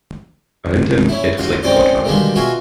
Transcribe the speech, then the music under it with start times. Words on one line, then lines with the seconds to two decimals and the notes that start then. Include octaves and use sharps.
Around him it was like "The Godfather".
1.09 C#4 E4
1.37 C#2 F#4 F5 C6
1.63 G#3 C4 C#4 C5 D5 D#5
2.05 B2 D3 D#3 G3 G#3 A#3
2.35 B2 F4 F#4 E5 F5 G#5